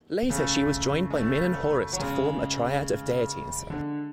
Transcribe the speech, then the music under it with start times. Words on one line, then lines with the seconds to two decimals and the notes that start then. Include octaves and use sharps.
Later she was joined by Min and Horus to form a triad of deities.
0.30 C#3 A3
1.10 G#3
1.14 A3
1.93 F#3
1.99 C#3 G#3
3.70 D3